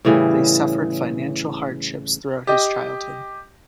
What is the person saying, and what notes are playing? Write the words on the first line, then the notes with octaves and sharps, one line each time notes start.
They suffered financial hardships throughout his childhood.
A2 C#3 E3 G3
G4 D#5